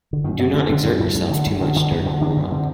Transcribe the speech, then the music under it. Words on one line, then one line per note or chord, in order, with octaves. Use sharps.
Do not exert yourself too much during a warm-up.
D3
F#2 D#3
F#2 F#3
D3 A3
D3 C4
F#2 C4
F#2
F#2 A3
D3
F#2
D3
D3
F#2
D3 C4
D3 D4
F#2 C4
D3 C4